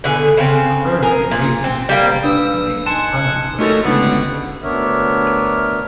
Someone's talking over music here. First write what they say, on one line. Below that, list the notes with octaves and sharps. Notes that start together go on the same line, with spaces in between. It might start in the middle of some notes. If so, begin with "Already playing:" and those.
Apparently "Raby" had also been the name of a family property in England.
B2 D3 G#4
C#3 C4
G#4 A#4
A#2
C4
G3 A#3
D4 B4 D#6 E6
D#4 F#5 G#5 A5 C6
F3 A3 C#4 D#4 F#4 A4 A#4
C#2 D3 G3 B3 F#4 G#4
D2 B3 D4 A#4 C#5 E5